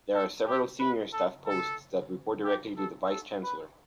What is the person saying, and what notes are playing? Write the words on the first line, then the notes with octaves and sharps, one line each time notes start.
There are several senior staff posts that report directly to the Vice Chancellor.
A4
G4
B4
A4
A4
G4
A4
A4
B4